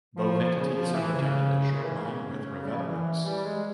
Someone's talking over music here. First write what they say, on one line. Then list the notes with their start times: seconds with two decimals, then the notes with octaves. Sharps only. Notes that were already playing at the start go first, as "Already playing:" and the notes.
Both entities have protected their shoreline with revetments.
0.17 F3
0.55 C#3
0.74 F3
0.94 E3
1.13 C#3
1.71 C#3
1.84 E3
1.97 C#3
2.63 G3
2.75 F3
2.86 E3
3.25 G3
3.44 G#3